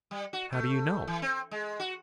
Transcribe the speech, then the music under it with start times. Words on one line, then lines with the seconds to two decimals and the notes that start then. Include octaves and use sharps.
"How do you know?"
0.11 G3
0.33 F#4
0.52 A3
1.07 E3
1.22 C4
1.51 G#3
1.79 F#4